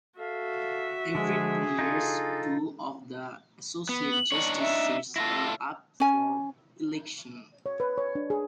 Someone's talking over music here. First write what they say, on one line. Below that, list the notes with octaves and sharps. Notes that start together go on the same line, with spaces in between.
Every two years, two of the associate justice seats are up for election.
F#4 A4 E5 F5
D3 F3 G#3 G#4
C#3 D4 D#4 F4 A4
B3
F#7
D4 D#4 C#5
E5
E4 F4 A4 A#6
C#4 G#5
C#5
B4
C#5
D4
G#4